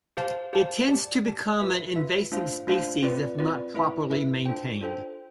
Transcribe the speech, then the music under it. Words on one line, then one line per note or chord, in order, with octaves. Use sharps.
It tends to become an invasive species if not properly maintained.
G4 C5 F5 A5
G4 C5 F5 A5
G4 D5 A5
G4 D5 A5
F4 B4 E5
F4 B4 E5
A3 D4 F4 C5 F5
A3 D4 F4 C5 F5
C4 F4 B4 D5
C4 F4 B4 D5
A3 E4 B4 E5
A3 E4 B4 E5
D4 F4 A4 C5 G5
D4 F4 A4 C5 G5